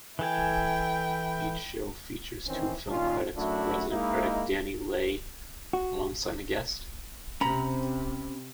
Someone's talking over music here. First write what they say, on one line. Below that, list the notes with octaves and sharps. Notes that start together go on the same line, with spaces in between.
Each show features two film critics, with resident critic Danny Leigh alongside a guest.
E3 E4 A4 G5 G#5
D#3 E3 C4 C#4
A#2 D#3 C#4 F4
F#2 A3 D4 E4 F#4
G#3 A#3 D#4 E4
F#4
C3 C#4 A#5 B5